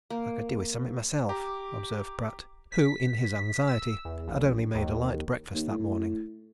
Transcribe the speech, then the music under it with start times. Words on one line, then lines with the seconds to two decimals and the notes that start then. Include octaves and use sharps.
"I could do with something myself," observed Pratt, who, in his anxiety, had only made a light breakfast that morning.
0.10 A#3
1.29 G4 A#5 D6
2.72 B6
3.67 E6
4.05 E2
4.27 A#1
4.74 D#2
5.54 D#2
5.70 A2